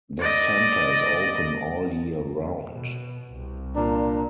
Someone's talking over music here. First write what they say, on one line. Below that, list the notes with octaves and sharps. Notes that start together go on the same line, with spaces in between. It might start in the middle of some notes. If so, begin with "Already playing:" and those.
The centre is open all year round.
D5 D#5
B2
C2
A#2 D4 A#5